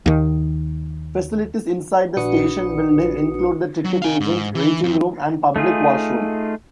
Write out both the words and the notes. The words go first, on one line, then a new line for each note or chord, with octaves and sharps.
Facilities inside the station building include the ticket agent, waiting room and public washroom.
D#2 D#3
A#1 D4 F#4 B4 D#6 C#7
F#3
F5 G#5
G#2
E3
F2 F3
A3 D#4 F4 G#4